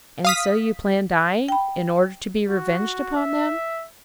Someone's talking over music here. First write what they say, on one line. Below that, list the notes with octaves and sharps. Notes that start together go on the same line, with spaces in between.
'And so you plan dying, in order to be revenged upon them!'
F5 D#6 B6
G5 B5
F#4
E5